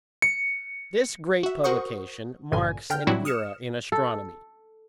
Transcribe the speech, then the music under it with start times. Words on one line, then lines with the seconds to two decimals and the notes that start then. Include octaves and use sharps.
This great publication marks an era in astronomy.
0.22 C#7
1.43 F#4 E5
1.64 F#4 A#4 C5 F#5 C#6 D#6
2.52 A1 G2 A#2 D3 G#5
2.90 D3 G5 F6 G6
3.07 A2 F#3 G3 C4 E4 F#4
3.25 D#6 F6 C#7 E7
3.92 A4